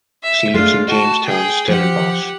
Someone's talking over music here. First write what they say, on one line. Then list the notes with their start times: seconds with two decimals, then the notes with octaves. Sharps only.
She lives in Jamestown, Stellenbosch.
0.23 E5
0.54 G#3 A3 D4 F4 F5
0.88 F#4 D#5 A5
1.25 G#4 G5
1.68 F3 G4 F#5